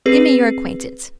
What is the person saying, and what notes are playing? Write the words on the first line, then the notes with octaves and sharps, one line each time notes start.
Give me your acquaintance.'
C4 G#4 B4 C7